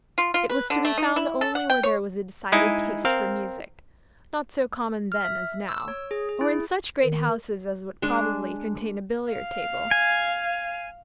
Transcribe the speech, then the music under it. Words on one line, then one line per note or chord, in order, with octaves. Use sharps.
It was to be found only where there was a decided taste for music, not so common then as now, or in such great houses as would probably contain a billiard-table.
F4
F4
B4
D3
A3
D#4
E4
A4
F#5
G5
C#5
G#3 D#4 E4 G#4
C4 A#4 F5
F6
E5
E6
C#5
G#4
G#4
E4
D#3
G#3 D4
F5
G#5